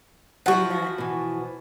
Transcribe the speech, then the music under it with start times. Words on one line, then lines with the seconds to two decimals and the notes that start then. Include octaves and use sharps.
in that,
0.46 F3 E4 F#4 F#5
0.98 B2 E3